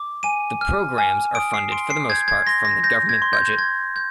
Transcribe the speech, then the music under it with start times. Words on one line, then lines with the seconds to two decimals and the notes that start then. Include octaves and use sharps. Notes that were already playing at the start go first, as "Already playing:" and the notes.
The programmes are funded for the most part from the government budget.
Already playing: D6
0.23 G#5 D#7
0.61 F6
0.98 G#5
1.35 D#6 D7
1.54 C7
1.72 C6 D7
1.90 C7
2.10 G6 G#6
2.28 G#6
2.47 C6 A#6
2.65 A#6
2.84 G6 A#6
3.09 G#6
3.22 C6
3.33 G6
3.58 C6 G#6
3.96 G6